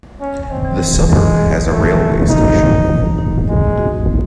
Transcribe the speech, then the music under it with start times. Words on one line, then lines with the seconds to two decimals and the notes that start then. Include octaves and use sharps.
The suburb has a railway station.
0.21 C#4
0.50 D#3 C4
0.65 E3
0.80 E3
0.95 E3
1.10 F#3 G#3
1.69 E3 A3
2.29 D#3 D#4
2.58 E3
3.18 D#4
3.48 G#3
3.78 F#4